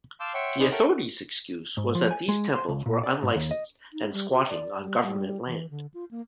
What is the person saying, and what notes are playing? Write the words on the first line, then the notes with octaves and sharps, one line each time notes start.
The authorities' excuse was that these temples were unlicensed and squatting on government land.
F5 A5 C6 D6 E6 G6
C#5 E5 F#5 G5 C6 C#6
C#4 D#4 G#4 B4 C5 D5
A4 A#4 C#5 E5 F#5 G5
G#2
F3
G#5
G#3
C5
C#2
A#2
D5
G#2
D#2
D#5
D#4
G3
F#4
D5
G3
G3
E3
D3
F4
A#3